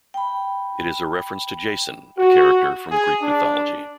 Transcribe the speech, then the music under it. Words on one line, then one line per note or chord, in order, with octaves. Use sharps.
It is a reference to Jason, a character from Greek mythology.
G5 B5
F#4
G#4
D4